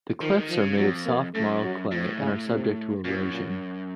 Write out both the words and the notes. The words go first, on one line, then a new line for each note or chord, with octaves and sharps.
The cliffs are made of soft marl clay and are subject to erosion.
D#3 F3
D#3
F3
C#3
F2 F#3
A#3
F#2 A3
F#3
A2 F3
C#3
C3
F#2 A#2
A#2